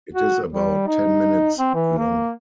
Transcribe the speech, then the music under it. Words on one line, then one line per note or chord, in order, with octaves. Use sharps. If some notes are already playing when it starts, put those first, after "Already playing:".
It is about ten minutes long.
F#4
G3
D#4
C4
E3
A#3